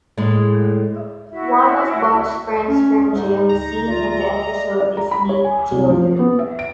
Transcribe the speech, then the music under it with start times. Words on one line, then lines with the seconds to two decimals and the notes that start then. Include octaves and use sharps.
One of Bob's friends from jail seen in the episode is Snake Jailbird.
0.18 A2 G#3
1.31 E4 F#4 E5
2.67 C#4
3.15 G#2 D#4
3.49 A#5
3.87 F4 D5 E5
4.35 D#5
4.80 D5
4.97 A#5
5.11 B5
5.29 C#5
5.44 G#5
5.72 C2
5.89 F3
6.19 B3
6.39 E5
6.59 D7